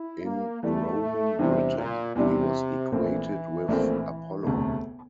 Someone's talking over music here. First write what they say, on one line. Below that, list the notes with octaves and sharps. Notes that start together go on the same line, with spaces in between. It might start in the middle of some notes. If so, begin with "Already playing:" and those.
In Roman Britain, he was equated with Apollo.
Already playing: E4
A#3
E2 E3 G3 A3
E2 C3 E3 G3 D4
A#2
E2 C3 E3 G3 D4
A#1 A#2 E3 A3 C4
A#1 A#2 A3 C4
E1 D2 C3 A3